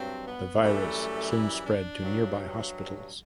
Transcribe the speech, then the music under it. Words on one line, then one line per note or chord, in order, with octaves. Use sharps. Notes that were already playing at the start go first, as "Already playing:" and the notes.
The virus soon spread to nearby hospitals.
Already playing: G2 F#3 C4
B3
F#2 E3 G3 A3
E4
D4
G2 F#3